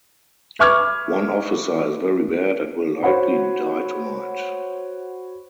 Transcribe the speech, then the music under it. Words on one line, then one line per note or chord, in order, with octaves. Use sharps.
One officer is very bad and will likely die tonight.
B4 E5 C#6 D6 F6 G#6
F#4 C5 C#5 F#5 B5